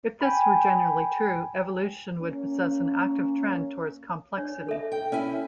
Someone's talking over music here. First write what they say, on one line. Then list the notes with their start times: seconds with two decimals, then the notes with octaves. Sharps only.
If this were generally true, evolution would possess an active trend towards complexity.
0.21 G5 G#5 B5
2.21 A#3 C#4
4.37 D4 C#5
4.68 A4 E5
4.92 G5
5.12 C#4 E4 G#5